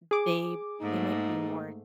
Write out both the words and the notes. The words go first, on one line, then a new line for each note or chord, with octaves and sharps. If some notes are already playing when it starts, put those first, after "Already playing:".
m they they might be more
G#4 D6
G#2 A3 A#3 D#4